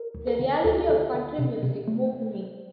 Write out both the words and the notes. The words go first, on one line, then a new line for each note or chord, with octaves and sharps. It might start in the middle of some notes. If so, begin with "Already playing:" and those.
The reality of country music moved me.
Already playing: A#4
D2
A4
D3
D2 A4
G4
D3 A4
D3
C3
C3
A3